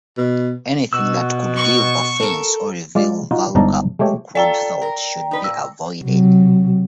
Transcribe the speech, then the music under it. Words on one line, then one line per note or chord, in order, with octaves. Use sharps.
Anything that could give offense or reveal vulgar or crude thoughts should be avoided.
B2
B2 F#4 E6
C#6
A4 A#4
G#3 F4 D5
D#4 F4 F#4
G1 G#2 D4 D#4 A5 A#5
G#3 A3 G4 C#5
F4 A4 D5 G5 A#5
A#4
D#4 B4
A#2 E6
C3 F#3